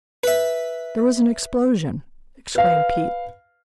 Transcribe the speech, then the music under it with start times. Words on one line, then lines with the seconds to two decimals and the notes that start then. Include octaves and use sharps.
"There was an explosion!" exclaimed Pete.
0.24 B4 E5
2.55 B4 F5